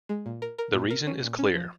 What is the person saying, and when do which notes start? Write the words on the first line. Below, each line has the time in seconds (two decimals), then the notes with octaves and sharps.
The reason is clear.
0.09 G#3
0.26 A#2
0.42 A#4
0.58 A#4
0.74 A#2
0.90 A#4
1.07 C#4
1.23 A#2
1.39 C#4
1.55 F3